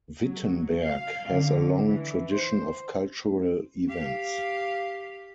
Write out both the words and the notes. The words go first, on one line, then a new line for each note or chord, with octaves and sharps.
Wittenberg has a long tradition of cultural events.
F#3
F5
D3
E3
C5
G4 F5